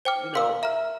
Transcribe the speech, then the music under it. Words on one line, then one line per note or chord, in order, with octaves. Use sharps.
You know,
C5 G5 D6 F6
A#4 F5 C6 E6
E5 A#5 F6